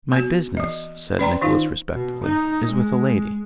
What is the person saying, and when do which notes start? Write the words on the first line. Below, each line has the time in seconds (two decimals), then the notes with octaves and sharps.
'My business,' said Nicholas respectfully, 'is with a lady.'
0.12 B3 F#4
0.57 E3 D#5
1.19 C#4 B4 D5 G5 A#5 C6
1.41 D#3 D#4 F4 F5
1.94 B2
2.24 D#4
2.72 G#3